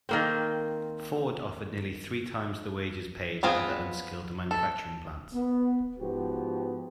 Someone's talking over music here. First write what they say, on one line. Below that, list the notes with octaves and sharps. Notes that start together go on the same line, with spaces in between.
Ford offered nearly three times the wages paid at other unskilled manufacturing plants.
D#3 A#3 C4
B3 C4 F4 G#4
A4
B3
G#2 F3 B3 F#4 G4